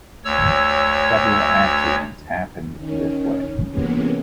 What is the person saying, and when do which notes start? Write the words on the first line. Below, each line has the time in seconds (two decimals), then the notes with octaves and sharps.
Several accidents happened this way.
0.25 D2 C#5 E6
2.77 D#3 C#4
3.70 C3 E3 G#3 A#3 B3 C#4